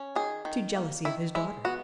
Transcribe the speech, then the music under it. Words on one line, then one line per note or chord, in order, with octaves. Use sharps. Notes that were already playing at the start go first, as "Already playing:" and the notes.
"To jealousy of his daughter."
Already playing: C#4
D#3 G#4
D#3
A#3
D#3 E4
G#3 E4
B3 F#4